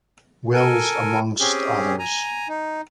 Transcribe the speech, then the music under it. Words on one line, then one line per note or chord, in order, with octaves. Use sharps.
Wills, amongst others.
A4 A#4 G#5
C4 C#4 G4 G#4
G#5 A#5
D#4